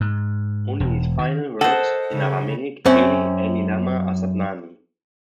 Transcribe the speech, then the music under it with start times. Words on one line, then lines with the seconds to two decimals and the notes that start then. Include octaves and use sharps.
Only his final words, in Aramaic, Eli, Eli lama asabthani?
0.01 G#2
0.80 E1
1.19 D#3
1.61 A4 C5 D#5 F#5
2.13 C#3
2.86 F#2 C4 C#4